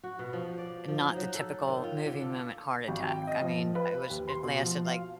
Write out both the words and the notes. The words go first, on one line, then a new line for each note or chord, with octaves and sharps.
not the typical movie moment heart attack, I mean, it was it lasted, like,
F#4
B2
F3
D5
F3
D#4
F#3
A4
D#3
F4
D3
A4
G#1
G5
D#5
F3
B4
D#2
C6
B2
F3
F5